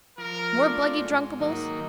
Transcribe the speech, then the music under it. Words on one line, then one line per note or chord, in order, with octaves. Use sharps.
More bluggy drunkables?
F3 A#4
A3 D4 F4
G#2
D#3 F#3 A#3 D#4